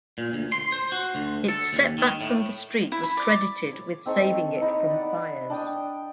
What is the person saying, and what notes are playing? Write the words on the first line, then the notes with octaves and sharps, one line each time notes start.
Its setback from the street was credited with saving it from fires.
A#2
D2
C6
C5
F#4
D2
A4
D#2
D#3
A2
E4
B5
D5
C#5
C4 D#4 A4 C#6
D#4 B4 C#5
D5 F#5
D4 G5 D#6